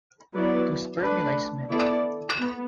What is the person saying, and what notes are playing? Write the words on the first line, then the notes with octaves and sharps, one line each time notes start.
To 'spermulise' men.
F#3 B3 E4 B4 D5
A3 D4 B4 D5
B3 E4 A4 D5
B3